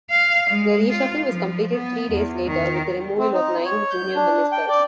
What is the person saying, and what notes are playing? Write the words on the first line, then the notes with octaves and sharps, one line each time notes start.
The reshuffle was completed three days later with the removal of nine junior ministers.
F5
G#3
F4
F3
B3
E2
D#3
C4
D#4
C#5
G6
D4
G5
D5